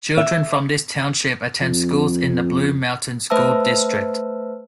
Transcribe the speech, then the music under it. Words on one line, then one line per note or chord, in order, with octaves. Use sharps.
Children from this township attend schools in the Blue Mountain School District.
E5
F2
A3 B4 C5 E5 A5 E6